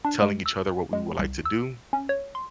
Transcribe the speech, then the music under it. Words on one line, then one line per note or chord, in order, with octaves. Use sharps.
telling each other what we would like to do
D4
G#3
E6
G#3
C2
E6
C#4
C#5
C6